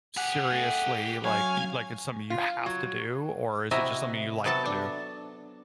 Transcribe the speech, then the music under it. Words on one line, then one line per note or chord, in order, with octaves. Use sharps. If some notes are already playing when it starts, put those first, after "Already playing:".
seriously, like y like it's something you have to do, or is it just something you like to do?
G4 G#4 F#5
A3
F#2 F#3 C#5 F5 G#5
F4
F#3
C3 E4 F#4 D#5 E5 A#5
C3 F#3 B3 F#4 A4 A5
D4